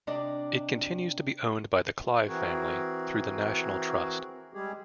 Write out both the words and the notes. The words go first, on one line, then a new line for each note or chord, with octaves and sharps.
It continues to be owned by the Clive family, through the National Trust.
C3 D4 G4 D5 D#5
E3 C4 F#4 G#4 A#4
G3 G#3 G4 G#4